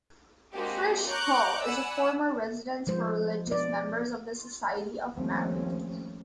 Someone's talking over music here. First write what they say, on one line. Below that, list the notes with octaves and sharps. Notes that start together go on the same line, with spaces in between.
"Frische Hall" is a former residence for religious members of the Society of Mary.
G#3 A#3 C4 D4 F#4 G4
C#5 A#5 C#6 D6 F#6 G6
D5 F#5 G#5 B5 E6
F3 G#3 C5
B3 D5
D#2 F3 G3 A3 C4 C#4